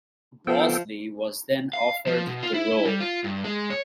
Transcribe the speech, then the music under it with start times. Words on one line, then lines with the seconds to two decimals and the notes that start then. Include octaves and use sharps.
Bosley was then offered the role.
0.47 F3 B3 A4 G5
1.73 F5
2.07 F3
2.27 B2
2.43 F4
2.54 E4
2.85 G3
3.00 F4
3.24 G2
3.44 G#3
3.70 C#5